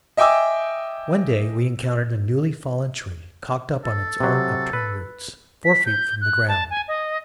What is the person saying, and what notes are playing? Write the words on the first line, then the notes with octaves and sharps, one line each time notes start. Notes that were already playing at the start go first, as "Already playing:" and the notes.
One day we encountered a newly fallen tree, cocked up on its own upturned roots, four feet from the ground.
D#5 E5 G5 G#5 D6 E6
A4
C3 F#3
B4
B6
G6
F#6
A5
G#5
D#5